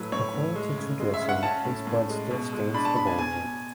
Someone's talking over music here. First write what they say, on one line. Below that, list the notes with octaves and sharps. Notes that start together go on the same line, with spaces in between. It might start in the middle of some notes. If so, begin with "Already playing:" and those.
According to tradition his blood still stains the boulder.
Already playing: A2 F#3 B4
A2 C#5
A2
G#3
C#3
G#3
E5
C#3
F#5
C#4 A5
A2
A2
G#3
B2
G#3
D4 B5
A5
B2 B5
G#5
B2 G#5
B2